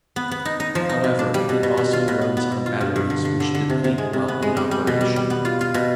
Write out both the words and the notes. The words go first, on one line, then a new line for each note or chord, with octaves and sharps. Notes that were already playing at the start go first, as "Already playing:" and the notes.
However, it also runs on batteries which deplete while in operation.
B3
B3
D#4
D#4
F3
D#4
B2
D4
G3
B2
B2
B2
F4
B2
B3
B3
B2
F4
G2
G2
D3
D3
D3
D3
C3
C3
G#3
C3
B3
G#3
G3
G3
B2
G3
G3
B3
F4
F4
B2